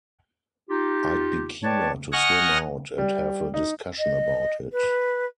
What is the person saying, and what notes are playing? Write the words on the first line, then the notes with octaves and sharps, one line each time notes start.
I'd be keener to swim out and have a discussion about it.
D#4 F4 G4
B4 C#5 D5 G5 A5
D#5 F#5 G#5 C#6 F6 A#6
G3
D#4
D#5
B4